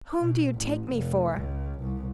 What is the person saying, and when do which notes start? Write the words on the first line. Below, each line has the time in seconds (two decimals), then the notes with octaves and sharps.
Whom do you take me for?
0.20 B2
0.54 A1
0.94 F1
1.35 C#2
1.80 C2